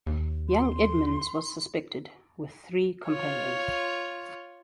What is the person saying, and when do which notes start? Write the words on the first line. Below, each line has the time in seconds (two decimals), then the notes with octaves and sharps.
Young Edmunds was suspected, with three companions.
0.06 D#2
0.49 C6
3.07 F4 C#5